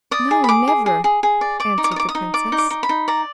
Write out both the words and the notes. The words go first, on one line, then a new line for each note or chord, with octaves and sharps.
"No, never," answered the princess.
D5 D#6
G#4
B5
G#4 D6
G#4
G#4
G#4
G#4
D5
D5 D6
D#4
D6
D#6
D5
D6
D#6
D#4
D5 D6
D#4
D6
D#4
B5
D#4
D5 A#5